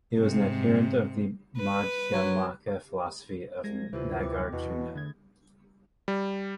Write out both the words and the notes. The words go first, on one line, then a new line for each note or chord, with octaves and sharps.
He was an adherent of the Madhyamaka philosophy of Nagarjuna.
G#2 C3
B4
F#3
C2 G#3 G#6 A#6
D2 C3 E3 F4 G4 C5
G5 D6
E2 B2 E4
D3 A3 G#6
G3